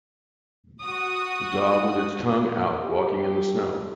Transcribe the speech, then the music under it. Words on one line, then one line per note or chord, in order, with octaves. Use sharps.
A dog with its tongue out walking in the snow.
F#4 D#6
G4